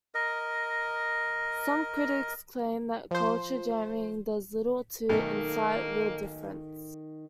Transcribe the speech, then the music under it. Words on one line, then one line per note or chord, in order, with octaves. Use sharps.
Some critics claim that culture jamming does little to incite real difference.
A#4 D#5
F3 C5
B1 D#3 A3 A#3 D#4 A4